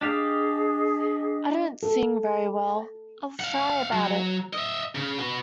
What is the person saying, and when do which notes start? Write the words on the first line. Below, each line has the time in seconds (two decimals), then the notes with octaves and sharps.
I don't sing very well, I was shy about it.
0.01 D4 G4 G#4 D#5 F5
1.83 A4
3.40 F5 F#5
3.93 F#3
4.53 D#5 E5
4.95 C#3
5.18 F#4 B4